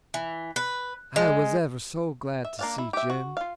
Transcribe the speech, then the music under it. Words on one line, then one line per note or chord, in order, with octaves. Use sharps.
I was ever so glad to see Jim.
E3
B4
G#3
E5
A#3 D4 F5
E4
G4 E5
F#4
F4 F5